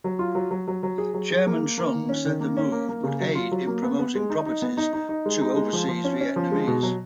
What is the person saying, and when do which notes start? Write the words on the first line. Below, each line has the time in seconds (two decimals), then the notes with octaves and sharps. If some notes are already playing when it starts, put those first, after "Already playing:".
Chairman Trung said the move would aid in promoting properties to overseas Vietnamese.
0.04 F#3
0.19 F4
0.35 F#3
0.51 F#3
0.68 F#3
0.83 F#3
0.98 G#4
1.14 F#3
1.31 G#4
1.47 A#3
1.62 A#3
1.78 A#3
1.94 D#3
2.09 C#4
2.25 D#3
2.40 A#3
2.57 C#4
2.72 A#3
2.89 A#3
3.03 C#3
3.20 F#3
3.35 F4
3.51 F#3
3.67 A#3
3.83 B3
3.99 B3
4.15 G#3
4.30 D#4
4.46 D#4
4.62 B3
4.77 D#4
4.93 D#4
5.09 D#4
5.26 G#3
5.41 D#4
5.56 G#3
5.73 F3
5.88 F3
6.04 C#4
6.21 C#4
6.36 F3
6.52 G#3
6.67 B2
6.83 F#3